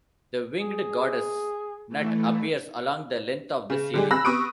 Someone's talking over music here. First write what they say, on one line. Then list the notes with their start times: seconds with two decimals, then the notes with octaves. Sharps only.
The winged goddess Nut appears along the length of the ceiling.
0.58 G#4
1.89 E3 A3
3.70 C#3
3.94 D3 G3 G#3
4.11 B5 E6 F#6 A#6
4.25 B3 C#6 D#6 D7